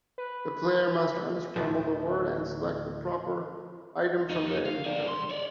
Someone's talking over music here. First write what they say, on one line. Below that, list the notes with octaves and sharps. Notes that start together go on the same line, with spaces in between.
The player must unscramble the word and select the proper item from their inventory.
B4
D2 A2 F3
F2 D#4
F5
G#4 D5
C2 C6
C#5 D5